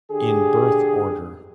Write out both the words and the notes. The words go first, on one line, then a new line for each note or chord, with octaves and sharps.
In birth order.
D3 G4 G#4